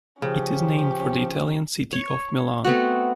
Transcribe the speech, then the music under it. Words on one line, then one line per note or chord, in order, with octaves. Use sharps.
It is named for the Italian city of Milan.
C#3 F3 C#4 G4
C#5
A3 B3 C4 F#4